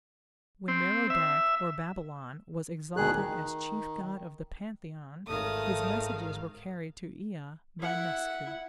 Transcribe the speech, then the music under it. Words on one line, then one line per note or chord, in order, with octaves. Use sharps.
When Merodach or Babylon was exalted as chief god of the pantheon his messages were carried to Ea by Nusku.
C4
E5
D2 B2 D#3 G#4 F#6
D#3
G#1 D#3 A3 F5 D#6
E4 F#5